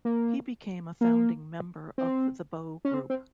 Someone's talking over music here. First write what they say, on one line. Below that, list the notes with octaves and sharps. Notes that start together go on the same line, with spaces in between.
He became a founding member of the Bow Group.
A#3
A#3
C4
C#4
C4
C4